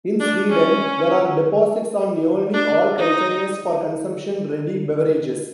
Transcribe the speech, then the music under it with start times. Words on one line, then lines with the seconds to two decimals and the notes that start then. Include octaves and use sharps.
In Sweden, there are deposits on nearly all containers for consumption-ready beverages.
0.20 D4
0.50 C#4
2.54 D4
2.98 D#4